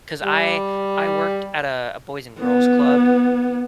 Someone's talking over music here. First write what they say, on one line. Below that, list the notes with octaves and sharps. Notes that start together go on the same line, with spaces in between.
'cause I I worked at a a boys and girls club
G3
B3